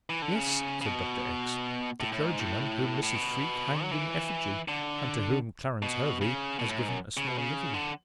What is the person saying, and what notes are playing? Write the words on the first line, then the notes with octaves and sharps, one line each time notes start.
"Yes," said Dr. X----, "the clergyman whom Mrs. Freke hanged in effigy, and to whom Clarence Hervey has given a small living."
E3
D3
C#3
C#3
B2
A2
A2
G#2
A2
A2
B2
F#3
E3
D3
B2
C#3
B2
A2
G#2
F#2
C#3
B2
C#3
D3